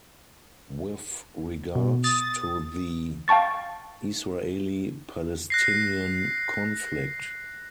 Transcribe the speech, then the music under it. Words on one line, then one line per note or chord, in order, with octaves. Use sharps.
With regard to the Israeli-Palestinian conflict.
B2
D#6 A6
F5 G5 A5 C#6 A6
F#6 A#6 C7